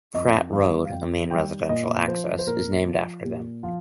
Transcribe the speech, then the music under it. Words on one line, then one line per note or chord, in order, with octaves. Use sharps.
'Pratt Road', a main residential access, is named after them.
F2 D#5
D#3 G3 F5
F5
F2 G5
D#3 G3 G5
A#2 D#5
F3 C5
C5
A#2 A#4
F3
A#2 G4
F3 F4